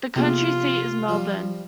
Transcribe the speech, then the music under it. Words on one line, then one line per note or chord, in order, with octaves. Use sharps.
The county seat is Melbourne.
C3 F3 A#3 B3 F4 G#4
F3 G3